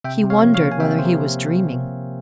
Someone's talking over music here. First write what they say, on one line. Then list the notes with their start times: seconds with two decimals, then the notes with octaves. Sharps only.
He wondered whether he was dreaming.
0.04 C3 E5 G5
0.23 C3
0.30 C#5 F5
0.42 F3
0.54 C#5 F5
0.62 A#3
0.72 G#5
0.80 C3 E5 G5
0.99 C3 C5
1.05 G4 A#4